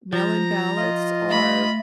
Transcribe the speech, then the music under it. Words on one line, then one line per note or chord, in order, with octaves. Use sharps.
mail-in ballots are
F3 A#5
F4 D#5
A3 B5